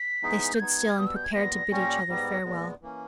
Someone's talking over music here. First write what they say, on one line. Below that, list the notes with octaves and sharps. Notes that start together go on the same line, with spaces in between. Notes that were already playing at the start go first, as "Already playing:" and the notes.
They stood still and prepared to bid each other farewell.
Already playing: B6
E3 G#3 B3 D#4 G#4
G6
G#3 B3 D#4 G#6
B2 G3 B3 D#6
E6
G6
G#6
A#2 G3 B3 A#6
A#2 G3 C#4 G4 C#5
G#2 G3 B3
A#2 G#3 B3
E3 A#3 C#4